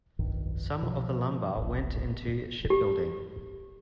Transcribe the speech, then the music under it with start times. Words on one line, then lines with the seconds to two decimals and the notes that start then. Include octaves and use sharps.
Some of the lumber went into shipbuilding.
0.19 F1 B1 G2 D#3
0.83 B2 F3
1.57 D1 A1
2.70 G4